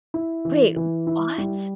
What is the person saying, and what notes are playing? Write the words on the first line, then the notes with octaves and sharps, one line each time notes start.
Wait. What?
E4
E3
E3
E4
G3